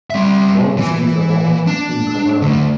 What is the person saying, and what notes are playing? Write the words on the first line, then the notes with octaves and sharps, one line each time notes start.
John C. Fremont in command.
G3 E5
E3
D4
D3 A3